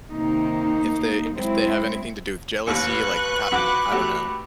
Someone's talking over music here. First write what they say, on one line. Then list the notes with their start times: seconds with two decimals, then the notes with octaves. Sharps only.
if they if they have anything to do with jealousy, like, pa I don't know,
0.11 C3 D#3 A#3 D#4
1.34 F#3 G#3 C4 E4
2.67 A1 D#2 B4 C#6 F#6
3.52 F2 F#4 F#5 B5 D6
3.92 A3 F#4 G4